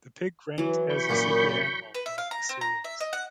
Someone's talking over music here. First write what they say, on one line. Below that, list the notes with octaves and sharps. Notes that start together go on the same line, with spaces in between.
The pig ranked as a sacred animal among the Syrians.
E3 F#3
B5 C#6 G6
F#2 A#2
B4
E5
F5
A#5
C4
A#5
E5
D#5
F#5